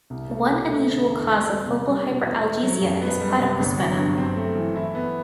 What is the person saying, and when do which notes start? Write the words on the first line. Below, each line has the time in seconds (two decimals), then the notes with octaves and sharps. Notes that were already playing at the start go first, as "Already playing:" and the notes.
One unusual cause of focal hyperalgesia is platypus venom.
0.10 C2
0.30 A3
0.50 B2
0.68 A3
0.89 D3
1.07 E2
1.27 C4
1.46 G3
1.66 C3
1.85 G3
2.04 B2
2.23 E2
2.43 A3
2.63 F#3
2.81 F#2
3.01 B3
3.21 G3
3.39 C3
3.60 G1
3.78 F#3
3.97 G2
4.18 C4
4.36 A3
4.55 E3
4.76 E4
4.95 B3